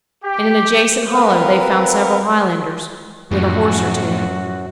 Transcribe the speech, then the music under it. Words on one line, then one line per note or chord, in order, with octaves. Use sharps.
In an adjacent hollow they found several Highlanders, with a horse or two.
G4
C4 A#4 B4 F5 F#5
F#2 A2 F3 F#4